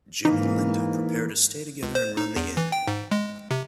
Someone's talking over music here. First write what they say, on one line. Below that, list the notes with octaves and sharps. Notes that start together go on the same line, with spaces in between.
Jim and Linda prepare to stay together and run the inn.
G#2 E3 A#3 D#4
C#2
C5
D#4
E2
E3
G5
G#2
G#3
C3